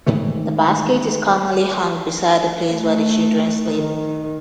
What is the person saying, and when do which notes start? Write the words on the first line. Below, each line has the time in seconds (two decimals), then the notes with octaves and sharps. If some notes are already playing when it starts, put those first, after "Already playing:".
The basket is commonly hung beside the place where the children sleep.
0.06 G#2 D#3 E3 A3
2.71 A3
3.76 D#3